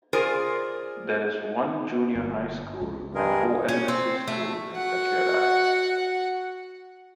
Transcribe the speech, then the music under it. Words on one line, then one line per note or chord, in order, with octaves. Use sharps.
There is one junior high school and four elementary schools in Tachiarai.
F4 G#4 A#4 C5 D5 G#5
G1
C#2
G2 G#3 G#4 A#4
C#4
C4
A3
F#4 F#5